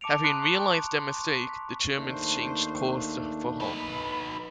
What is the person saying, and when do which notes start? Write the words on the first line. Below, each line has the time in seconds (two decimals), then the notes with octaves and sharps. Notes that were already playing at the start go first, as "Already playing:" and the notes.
Having realised their mistake, the Germans changed course for home.
0.01 A5 D6 C#7 D7 F7
0.24 A5 A#5 C6 D#6 F#6
0.42 C#6
0.96 C6 C#6
1.49 B6
1.97 D#2 A3 D4 C5
3.60 D#4 B4 B5